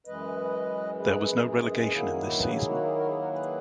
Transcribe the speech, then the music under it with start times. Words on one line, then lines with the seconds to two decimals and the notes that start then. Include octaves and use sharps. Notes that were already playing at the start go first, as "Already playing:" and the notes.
There was no relegation in this season.
0.06 F#2 E3 G#3 B4 D#5
0.99 G#4 B4
1.40 A#4
1.45 G#4
1.92 D#3 F#3 A#3 E4
2.38 G#4 B4
2.54 G#4
2.69 F#4
2.84 G#4
2.96 F#4 A#4
3.08 G#4
3.19 F#4 A#4
3.31 G#4 B4